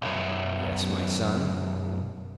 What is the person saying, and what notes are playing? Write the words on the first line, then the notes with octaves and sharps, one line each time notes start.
"Yes, my son?"
B1 F#2